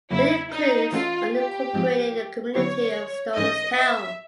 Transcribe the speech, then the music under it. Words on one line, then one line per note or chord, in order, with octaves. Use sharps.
It includes the unincorporated community of Stonerstown.
E2 C#3 F#3 A#3 E4
D#4
E3 A3 C#4 F4 F#4 A4
G4
G#2 F3 G#3 C4
D3 F#3 B3 E4 G4 C#5
G#2 E3 G#3 C#4 D#5
E5